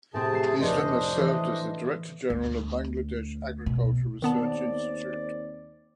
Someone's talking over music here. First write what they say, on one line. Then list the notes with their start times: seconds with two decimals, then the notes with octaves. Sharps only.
Islam has served as the Director General of Bangladesh Agricultural Research Institute.
0.14 A2 C3 C4 G#4 A5
0.33 A3 C7 E7
0.61 F1 D4 C5 D#5
1.16 E3 A3
2.30 D2
3.66 B2
4.22 D#2 D#3 B3 C4 D5 A5